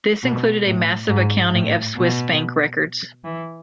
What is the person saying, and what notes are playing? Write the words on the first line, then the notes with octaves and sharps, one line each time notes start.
This included a massive accounting of Swiss bank records.
B2
A2
G#2
A2
B2
E3